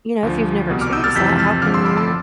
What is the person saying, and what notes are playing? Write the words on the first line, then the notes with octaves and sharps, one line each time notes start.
you know, if you've never experienced that, how can you
D2 D3 F3
C2 B2 G3
D6 F6
E6 G6
F6 A6
F2 C3 E3 G6 B6
F6 A6
G1 F2 D3 F3 D6 F6
C6 E6
B5 D6
A5 C6